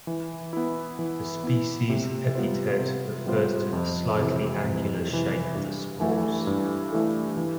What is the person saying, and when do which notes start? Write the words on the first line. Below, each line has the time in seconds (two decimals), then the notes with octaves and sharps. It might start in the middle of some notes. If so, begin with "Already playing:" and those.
The species epithet refers to the slightly angular shape of the spores.
0.07 E3
0.53 B3 E4
0.99 E3
1.44 B3 E4
1.89 C3
2.35 G3 B3 F4 C5
2.80 C3
3.27 G3 B3 F4 C5
3.73 F2
4.18 C3 E3
4.64 F2
5.09 C3 E3
5.55 G2
6.01 E3 A3 E4 A4
6.47 G2
6.92 E3 A3 E4 A4
7.37 E3